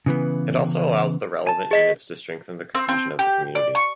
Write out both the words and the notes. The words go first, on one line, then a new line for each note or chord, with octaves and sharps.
It also allows the relevant units to strengthen the cohesion of the community.
C#3 E3 B3
G#5 A5
G#4 D#5 B6
C4
C4
G4
D5
C#6